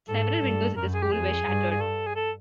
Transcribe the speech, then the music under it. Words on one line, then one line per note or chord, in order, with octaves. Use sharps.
Several windows at the school were shattered.
G#2 A4
G2
F#2 A#4
G#4
G4
F2 G#4
G2
G#4
A4
G#4
A4